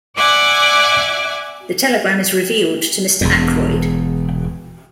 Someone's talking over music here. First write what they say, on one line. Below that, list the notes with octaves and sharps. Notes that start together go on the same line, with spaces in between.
The telegram is revealed to Mr. Ackroyd.
D5 E5 F#5 G#5 D6
E1 E2